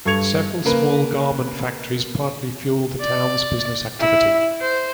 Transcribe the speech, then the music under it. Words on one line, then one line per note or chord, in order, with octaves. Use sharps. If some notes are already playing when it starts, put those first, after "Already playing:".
Several small garment factories partly fuel the town's business activity.
G2 A4 C#6 G#6 C#7 F7
C#3 A#3 A#4 B4
D5
E4
C5